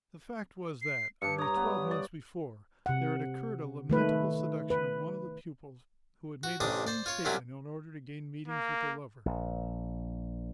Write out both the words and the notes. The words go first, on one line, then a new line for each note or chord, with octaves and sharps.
The fact was that, only twelve months before, there had occurred a lamentable seduction of one of the pupils who had made the same statement in order to gain meetings with her lover.
C7
G2 D4 C#7
C#5 A#5 D#6
B3
D5
C3 F#5
D#3 A3 B4
B4
F#4
A1 C3 D4 D6 D#6
C5 D5
F4 C#5
C2 C3 F#3 C#4 E4 F4
A#3
A#1